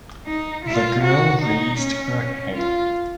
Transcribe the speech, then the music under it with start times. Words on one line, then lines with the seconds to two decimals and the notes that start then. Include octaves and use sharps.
The girl raised her head.
0.26 D#4
0.65 F4
1.03 F#4
1.41 D#4
1.79 C#4
2.55 F4